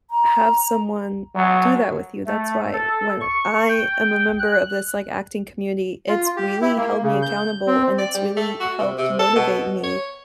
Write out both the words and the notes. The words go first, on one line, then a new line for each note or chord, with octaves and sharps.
have someone do that with you, that's why when I am a member of this like acting community, it's really held me accountable and it's really helped motivate me
A#5
F#3
A3
A4
C#6
G5
F#6
F4
G4
E4
A#3
C#3
G6
C4
D5
G3
A3
F#4
C3
C3
A4
B2
C#5